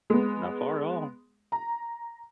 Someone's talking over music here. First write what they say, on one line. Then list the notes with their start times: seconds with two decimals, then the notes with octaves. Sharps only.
not far at all.
0.10 G#3 B3
1.52 A#5